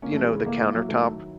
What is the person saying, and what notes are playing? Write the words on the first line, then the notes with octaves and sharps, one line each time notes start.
you know, the countertop
A#3 C#4
A3
E3 G3
C#3 G#3
A3 A#3
A#3 E4
F#3
D#3 A3